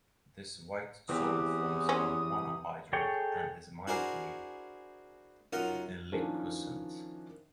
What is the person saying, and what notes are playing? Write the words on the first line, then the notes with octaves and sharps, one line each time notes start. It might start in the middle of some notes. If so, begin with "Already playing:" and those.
This white solid forms a monohydrate and is mildly deliquescent.
E2 E3 C4 G4 D#6
C#4 C5
G#4 A4 C#5 G5
D4 E4 F#4 G#4 A#4 C5
F#2 D#4 F4 A#4 F#5
D#3 F3 A#3 C#4 D4 E4